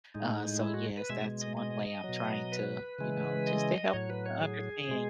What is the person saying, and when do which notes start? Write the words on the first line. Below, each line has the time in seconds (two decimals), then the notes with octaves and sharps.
Uh, so yes, that's one way I'm trying to, you know, just to help them to understand
0.14 A2 G#3 D#4
0.62 E4
0.74 F#4
0.98 B4
1.09 B2 G#3 E5
1.41 D#5
1.57 D#5
2.04 F#3
2.09 B2
2.52 B4
2.99 C#3 E3 G#3
3.47 D#5
3.93 A2 F#3 C#5
4.10 B4
4.26 C#5
4.41 G#4
4.89 B2 G#3